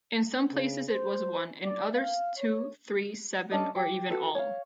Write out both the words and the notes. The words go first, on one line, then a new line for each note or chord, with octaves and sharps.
In some places it was one; in others, two, three, seven, or even all.
C#3
C5
D5
F5
C#5
C#4 D4 A4 D#5
G4
F#4 A4 B4
C#5 F5